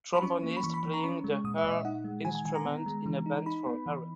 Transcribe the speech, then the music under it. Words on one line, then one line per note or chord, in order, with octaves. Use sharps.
Trombonist playing the her instrument in a band for a parade.
B5
C#4 C#6
A#3
B5
E3 C#6
B5
E3
A#5
C#4 C#6
G#3
A#2 D#6
E5
A#2 D#5
E5
D#4 F#5
G#3
D#3 G#5
G#5
D#3 G#5
A#5
B3
G#3
E3
D#4
D#4 B5
B3
E3